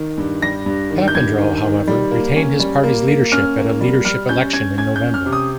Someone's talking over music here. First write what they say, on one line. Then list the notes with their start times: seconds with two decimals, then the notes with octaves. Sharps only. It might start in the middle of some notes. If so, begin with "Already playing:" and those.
Papandreou, however, retained his party's leadership at a leadership election in November.
Already playing: D#3
0.17 G2
0.42 G3 A#6
0.66 G2
0.90 D#3
1.08 G6
1.15 G2 G#6
1.38 D#3
1.64 D#3
1.87 G3
2.11 A#3
2.36 C#4
2.60 G3
2.84 A#3
3.08 A#3
3.32 C#4 F6
3.57 A#3
3.81 G3
4.05 G3 F6
4.29 C#4 G6
4.53 C#4 G#6
4.78 C#4 G#6
4.96 G6
5.02 C#4
5.14 F6
5.26 C3
5.33 D#6